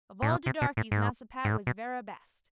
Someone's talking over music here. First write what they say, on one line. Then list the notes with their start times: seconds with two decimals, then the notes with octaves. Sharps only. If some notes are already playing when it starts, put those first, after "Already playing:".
Of all de darkies Massa Pat was verra best.
0.22 A2
0.31 B2
0.46 C3
0.62 B2
0.77 A2
0.92 G#2
1.45 G#2
1.52 A2
1.67 B2